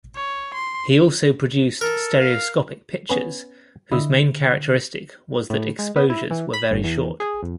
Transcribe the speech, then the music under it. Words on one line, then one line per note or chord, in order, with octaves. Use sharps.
He also produced stereoscopic pictures whose main characteristic was that exposures were very short.
C#5
C6
A4 A#4
F5
B3 C#4 B4
D3 E4 D#5 E5
A2
G#3
B3
E4
E3
B5
G1
E2
G#4
F2